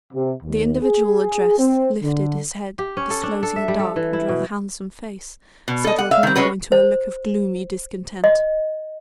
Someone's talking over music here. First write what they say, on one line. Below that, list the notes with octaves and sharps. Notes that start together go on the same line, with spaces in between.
The individual addressed lifted his head, disclosing a dark and rather handsome face, settled now into a look of gloomy discontent.
C3
D#2
G#4
C4
D3
G4
C#4
A4
D4
A4
E5
G3
A4
E3
E4
B2
B2
A4 D#5
F#5
E5 F5
D#3 C4
G#3 C#4 F#4 B4
C5
D#5